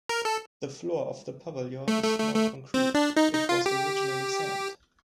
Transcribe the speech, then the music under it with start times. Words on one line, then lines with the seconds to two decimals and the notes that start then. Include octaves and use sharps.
The floor of the pavilion is now concrete; it was originally sand.
0.09 A#4
0.25 A4
1.88 A3
2.03 A3
2.19 A3
2.35 A3
2.74 C4
2.94 D4
3.17 D#4
3.33 D#4
3.49 F4
3.66 G4